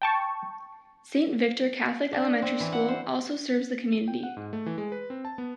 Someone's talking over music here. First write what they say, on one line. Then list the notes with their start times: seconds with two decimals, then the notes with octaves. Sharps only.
Saint Victor Catholic elementary school also serves the community.
0.02 G5 A5 C#6
2.13 D4
2.42 C4
2.60 E3
2.72 F#5
2.88 C5
3.93 D#7
4.08 G5
4.23 F#5
4.37 G#2
4.53 A3
4.66 E3
4.78 G#3
4.92 B4
5.10 C4
5.25 A5
5.38 B3